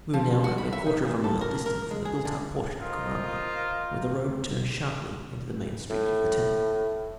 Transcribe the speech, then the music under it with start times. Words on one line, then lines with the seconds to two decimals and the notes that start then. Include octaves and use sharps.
We were now only a quarter of a mile distant from the built-up portion of Coamo, where the road turned sharply into the main street of the town.
0.14 F3
0.44 F#4
0.58 B5
0.73 E5
0.86 D#4
1.05 A#2
1.24 A4
1.41 A#4
1.66 A#4
1.91 G#3
2.05 G#4
2.25 D3
2.80 F4 A#4 C5 D#5
5.90 A2